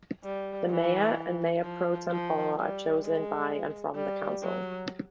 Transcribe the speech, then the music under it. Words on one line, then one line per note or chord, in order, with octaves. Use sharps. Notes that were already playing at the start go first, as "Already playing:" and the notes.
The mayor and mayor pro tempore are chosen by and from the council.
G3
E3
F3
F3
G3
G#3
G3
F#3